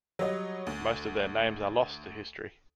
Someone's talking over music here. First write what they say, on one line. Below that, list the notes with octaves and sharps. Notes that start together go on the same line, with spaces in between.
Most of their names are lost to history.
F#3 G3 C#5 D#5
D2